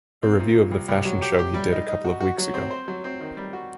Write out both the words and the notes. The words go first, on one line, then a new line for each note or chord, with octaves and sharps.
A review of the fashion show he did a couple of weeks ago.
C4
A#2
A#2
C2
C2
F#3
G4
G4
G3
D#4
D#4
F#4
F#4
F#3
C4
C5
F#3
C4
D#3
G3
F#4